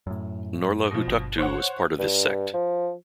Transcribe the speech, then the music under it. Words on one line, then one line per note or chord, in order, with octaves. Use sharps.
Norla Hutuktu was part of this sect.
F#2 A2
B2 F3
G1
C5 C#5 F#5
G2
F3